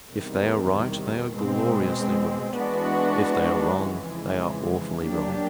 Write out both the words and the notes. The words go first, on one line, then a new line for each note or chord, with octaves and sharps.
If they are right, they are gloriously right; if they are wrong, they are awfully wrong.
E2 C3 D#3 G3
B2 G#3 C4
E3 G#3 B3 D4 F#4
F2 C#3 E3 G#3
F#3 A#3 D4 G4